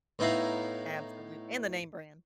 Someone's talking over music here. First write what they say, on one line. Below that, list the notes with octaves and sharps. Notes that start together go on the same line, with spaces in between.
absolute and the name-brand.
A2 B3 D#4 E4 F5 A#5